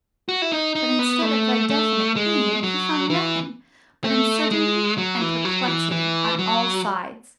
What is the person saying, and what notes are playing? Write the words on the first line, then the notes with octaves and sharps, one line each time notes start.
But instead of a definite aim, he found nothing but uncertainty and perplexity on all sides.
F#4
E4
D#4
D#4
B3
A3
A3
G#3
F#3
E3
A3
G#3
F#3
E3
F#3
E3
E3
F#3